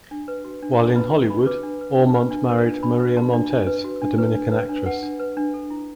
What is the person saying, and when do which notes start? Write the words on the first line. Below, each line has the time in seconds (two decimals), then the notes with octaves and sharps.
While in Hollywood, Aumont married Maria Montez, a Dominican actress.
0.11 D4
0.28 B4
0.45 F#4
0.62 D4
0.79 D4 A5
0.96 B4 B5
1.12 F#4 A5
1.30 D4 B5
1.46 B4 D6
1.63 D4
1.81 B4
1.98 D4
2.15 B4
2.31 D4
2.49 B4
2.66 D4
2.83 D4 B5
3.00 B4
3.17 F#4 A5
3.33 D4
3.51 D4
3.67 B4
3.84 F#4
4.01 D4
4.18 B4
4.35 D4
4.51 B4
4.69 D4
4.86 B4 F#5
5.03 D4
5.19 B4
5.37 D4
5.54 A4
5.70 E4